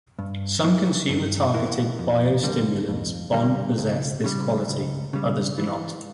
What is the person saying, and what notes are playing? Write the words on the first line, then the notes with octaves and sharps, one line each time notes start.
Some consumer-targeted biostimulants bond possess this quality, others do not.
G2
E3 A#3 E4
G2
E3 A#3 E4
F2
D3 G3 A#3
F2
D3 G3 A#3
C#2
C#3 G3
C#2
C#3 G3
E3